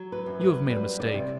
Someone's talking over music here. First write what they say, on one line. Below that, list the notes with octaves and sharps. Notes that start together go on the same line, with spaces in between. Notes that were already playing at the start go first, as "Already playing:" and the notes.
You have made a mistake.
Already playing: F#3
B4
F#2
B4
G3 B4
D5
C3